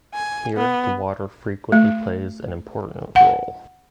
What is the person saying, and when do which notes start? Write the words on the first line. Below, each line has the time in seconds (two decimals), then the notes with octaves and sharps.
Here, the water frequently plays an important role.
0.14 G#5
0.57 B3
1.72 A3
3.16 F#5